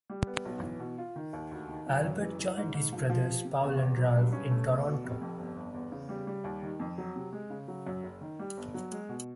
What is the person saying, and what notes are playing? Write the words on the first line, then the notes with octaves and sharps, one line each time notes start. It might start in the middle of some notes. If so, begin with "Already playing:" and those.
Albert joined his brothers Paul and Ralph in Toronto.
G3
B3
B1
E3
B2
F4
D#3
D#2
D2
D#3
F#2
F#2
E3
E3
G#2
G#2
F3
F3
C3
C3
E2
E2
F#3
G2
C#4
A3
E2
B2
F1
F2
G1
G1
E2
C#3
G3
G3
D#2
D#3
F2
F#3
C3
G#3
C#3
F#3
F#2
F#1
D#3
G3
G1
F#3
G#3
B2